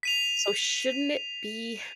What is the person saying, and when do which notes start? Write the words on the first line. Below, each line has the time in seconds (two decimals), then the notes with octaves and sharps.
So shouldn't it be
0.03 B6 D#7 F7